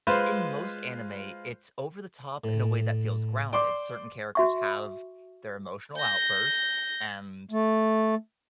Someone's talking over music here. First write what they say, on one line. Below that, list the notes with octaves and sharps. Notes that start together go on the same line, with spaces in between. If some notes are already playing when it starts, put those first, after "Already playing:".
in most anime, it's over the top in a way that feels grounded. Certain characters have their emotional outbursts, and
G#3 F4 B4 C5
A2
C5 D5 G5 C6 D6
F#4 E5 C#6
G6 A#6
A3